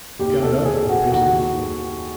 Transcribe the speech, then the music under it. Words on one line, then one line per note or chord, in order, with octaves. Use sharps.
He got up and paced the floor.
D#2 D#3 G4
A4
G#4
F#4
D#2 D#3 F#4